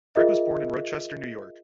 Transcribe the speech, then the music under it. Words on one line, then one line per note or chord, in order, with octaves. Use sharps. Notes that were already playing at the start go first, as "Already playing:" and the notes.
Breck was born in Rochester, New York.
F4 G#4 A#4 D#5 E5